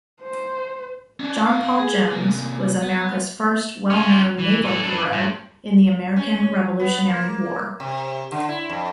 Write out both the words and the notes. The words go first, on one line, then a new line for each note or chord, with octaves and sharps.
John Paul Jones was America's first well-known naval hero in the American Revolutionary War.
C5
C#4 D4
B3 F5
G#4
C3 A#3
B3
C#4 F4
E3
E3 A4
D4 B4
G2
C#4
B3
A#3
C3
D3
E4
F2